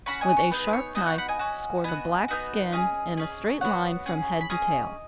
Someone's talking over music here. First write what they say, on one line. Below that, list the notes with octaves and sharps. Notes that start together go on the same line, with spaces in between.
With a sharp knife score the black skin in a straight line from head to tail.
C#4 F#4 F#5 B5
D#5 G#5
C#5
B3 D#4 G#4 B4
C#5
B3 D#4 F#4 D#5 G#5
C#5 F#5
F#5 B5
D#5 G#5
C#4 F#4
B3 F#4 D#5 G#5
B3 D#4 F#4
C#4 G#4 D#5 G#5
C#4 G#4
B3 F#4 C#5 F#5
C#4 G#4
B5
C#4 G#4 D#5 G#5